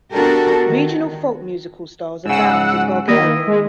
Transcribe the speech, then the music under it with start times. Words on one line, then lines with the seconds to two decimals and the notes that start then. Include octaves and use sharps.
Regional folk musical styles abound in Bulgaria.
0.13 B3 D4 F#4 G4 A4 A#4
0.68 D#3
2.26 G#2 C#3 F#5 E6
3.08 D#3 A#3 E4 D#5
3.47 G#3